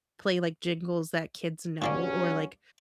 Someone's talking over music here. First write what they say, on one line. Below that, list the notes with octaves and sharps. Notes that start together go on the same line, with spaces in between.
play, like, jingles that kids know, or, like,
G2 A#2 D3 F#3 A#3 C#4